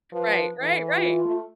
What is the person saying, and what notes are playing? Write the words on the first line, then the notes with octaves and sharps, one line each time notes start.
Right, right, right,
F3 B4
E3 A4
F4
A3